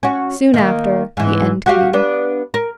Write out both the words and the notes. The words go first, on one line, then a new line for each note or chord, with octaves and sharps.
Soon after, the end came.
C#4 F#4
D#3 A#3
G#2 E3
F#4 G4 F5
B3 D4
A#4